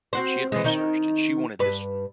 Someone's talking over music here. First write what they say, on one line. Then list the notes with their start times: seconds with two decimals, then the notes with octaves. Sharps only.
she had researched, and she wanted this
0.13 C4 F#4 C5
0.52 E3 G#3
0.64 D#3 D#4
1.59 G2 B4